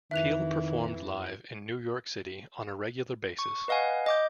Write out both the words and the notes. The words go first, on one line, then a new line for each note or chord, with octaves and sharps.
Peel performed live in New York City on a regular basis.
F2 D#3 E3 E5 F#6 F7
C#6
B4 D#5 F5 F#5 G#5
D#5 D6 G6